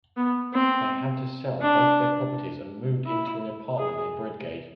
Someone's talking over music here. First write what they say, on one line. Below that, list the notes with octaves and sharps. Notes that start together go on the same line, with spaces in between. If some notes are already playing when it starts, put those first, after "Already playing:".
They had to sell both their properties and moved into an apartment in Bredgade.
B3
C4
D4
E4
G#4